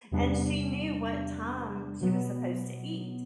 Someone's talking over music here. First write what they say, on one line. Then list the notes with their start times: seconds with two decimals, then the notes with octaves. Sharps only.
and she knew what time she was supposed to eat,
0.11 E2 C3 G3 B3 D4
2.01 B2 F#3 B3